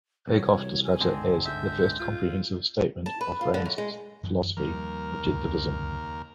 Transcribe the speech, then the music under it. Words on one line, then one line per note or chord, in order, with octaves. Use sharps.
Peikoff describes it as "the first comprehensive statement" of Rand's philosophy, Objectivism.
C2 E3 C4 F#4 C#5
G#5
G1 C#2 G#2 D3 G#3 C4
E5 G6
F4
A5
B4
F4
D3
F#2
G#3
F#2 E3
D#2 F3 G3 A#4
C#2 F#2 D3